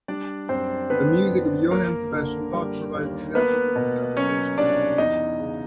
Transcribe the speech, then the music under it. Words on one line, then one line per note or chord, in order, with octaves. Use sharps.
The music of Johann Sebastian Bach provides examples of this application.
G3 D4 D5
F#2 C4 C5
D3 B3 B4
F#1
A#3 A#4
D3
G3
D#2
A#3 B3 B4
B2
F#3 C#4 C#5
C2 D4 D5
E2 D#4 D#5
C#3